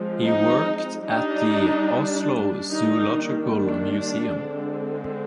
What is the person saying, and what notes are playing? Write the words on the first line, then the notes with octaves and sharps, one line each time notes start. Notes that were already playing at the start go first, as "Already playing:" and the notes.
He worked at the Oslo Zoological Museum.
Already playing: F3 G#3 C4
D#4
G3 D4 D#4
D#3 G3 A#3 D4 D#4
D4
D3 G#3 C4